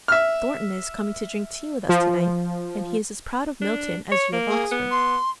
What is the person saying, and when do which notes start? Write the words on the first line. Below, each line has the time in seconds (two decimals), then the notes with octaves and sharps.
Thornton is coming to drink tea with us to-night, and he is as proud of Milton as you of Oxford.
0.08 E5 F6
1.89 F3
3.62 D4
4.12 C#5
4.33 A#3
4.48 G#4
4.71 B3
4.91 C6